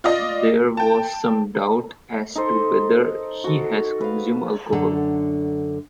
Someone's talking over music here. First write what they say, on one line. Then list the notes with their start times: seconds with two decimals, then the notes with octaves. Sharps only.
There was some doubt as to whether he had consumed alcohol.
0.04 F4 D5 D#5
0.77 G5 A5
2.35 D#4 A4 C5 C#6
3.44 F#4 A4
4.01 B4 F5
4.72 F#2 D3 D4 A4 F#5 A#5